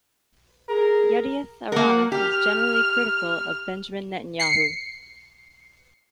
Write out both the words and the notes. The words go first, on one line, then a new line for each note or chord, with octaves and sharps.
"Yedioth Ahronoth" is generally critical of Benjamin Netanyahu.
G#4 A#4
A#3 A#4 F#5
G4 F6
C7 C#7